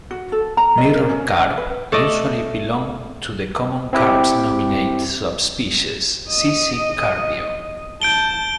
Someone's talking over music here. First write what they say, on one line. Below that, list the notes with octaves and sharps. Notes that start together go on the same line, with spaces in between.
Mirror carp usually belong to the common carp's nominate subspecies, "C. c. carpio".
F#4
A4
A#5
D#5
A#4
C#4
D#5
B4
A3 D5 D#5
C4 E4 G4
D#5
A5 G6 D7 G7